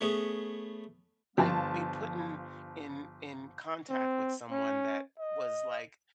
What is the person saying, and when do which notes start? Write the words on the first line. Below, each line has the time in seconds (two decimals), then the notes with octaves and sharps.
like, be put in in in contact with someone that was like,
0.01 A3 B3 C#4 G#4
1.38 G1 F3 A5
3.89 C4
4.51 C#4
5.19 D#5